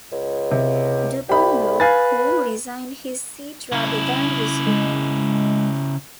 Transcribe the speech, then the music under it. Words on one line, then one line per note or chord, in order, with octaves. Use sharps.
Dupanloup, who resigned his seat rather than receive him.
C#2
C3
C2 G4 B5
B4 F5 G#5 A6
C#3 E4
G#3